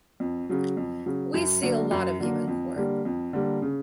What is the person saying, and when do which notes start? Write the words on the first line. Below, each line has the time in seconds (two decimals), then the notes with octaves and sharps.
We see a lot of you in court.
0.20 F2
0.50 C#3 F#3
0.77 F2
1.06 C#3 F#3
1.34 F#2
1.62 D3 F#3 A#3
1.91 F#2
2.20 D3 F#3 A#3
2.48 F2
2.76 D3 G3 A#3
3.05 F2
3.33 D3 G3 A#3
3.62 C#3